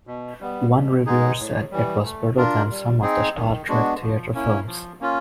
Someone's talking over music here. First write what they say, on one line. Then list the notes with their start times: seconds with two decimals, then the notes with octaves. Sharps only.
One reviewer said it was better than some of the Star Trek theater films.
0.07 B2
0.41 G3 B3
0.72 B2
1.06 G#3 B3 D#4 G#4
1.39 A2
1.71 E3 G3
2.04 A3
2.37 D4 F4 A#4
2.70 G3
3.02 C4 D#4 G#4
3.36 D#3
3.68 G#3 B3 D4 F#4
4.01 F3
4.34 A#3 C#4 E4
4.66 F3
5.00 A#3 C#4 F4